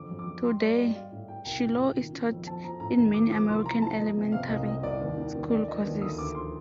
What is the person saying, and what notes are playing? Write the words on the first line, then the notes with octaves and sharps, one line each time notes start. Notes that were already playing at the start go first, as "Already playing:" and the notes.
Today, "Shiloh" is taught in many American elementary school courses.
Already playing: F2 D3 D6
F2
D6
F2
G3 C6
G3 D5
G3 D#5
G3 F5
A2
A2 G5
C2 G5
A#2
A#2
D#3
D#3
F2
F3 A5
F3 A#5
A2 A#5
D#2 A#5
D#2 D6
F3 D6
C2 C6
F3 A#5
F3 A5
F3 D#5
C3
C3 F5
C2 D#5
C2 D#5
C2 D5
D#2
D#3
D#2
D3 D5
F3 D#5
D#2
D2 D#6
D2 D6
F3 C6